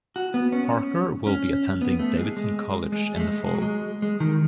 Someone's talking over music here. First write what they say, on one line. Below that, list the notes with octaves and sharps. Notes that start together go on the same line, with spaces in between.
Parker will be attending Davidson College in the fall.
F#4
B3
C#4
C#4
B3
A3
G#3
G#3
G#3
A3
G#3
G#3
F#3
G#3
G#3
D#3